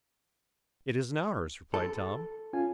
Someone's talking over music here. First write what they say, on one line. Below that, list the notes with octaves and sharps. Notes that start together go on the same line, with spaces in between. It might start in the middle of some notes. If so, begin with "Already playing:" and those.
"It isn't ours," replied Tom.
A4
C#4 F4 G#5